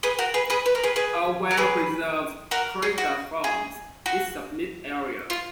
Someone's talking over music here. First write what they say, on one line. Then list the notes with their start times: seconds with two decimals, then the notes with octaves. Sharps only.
A well-preserved crater forms its summit area.
0.03 G#4 B4
0.19 F#4 A#4
0.34 G#4 B4
0.50 G#4 B4
0.66 B4
0.75 A#4
0.84 G#4 B4
0.96 G#4 B4
1.51 A#4
1.57 G#4 B4
2.51 F#4 A#4
2.82 G#4
2.98 F#4
3.44 G#4
4.06 F#4
5.30 F4